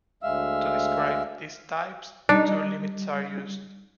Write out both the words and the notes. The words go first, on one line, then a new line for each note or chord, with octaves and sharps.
To describe these types two limits are used.
D2 G#3 E5 F5 E6
G3 D4 D#4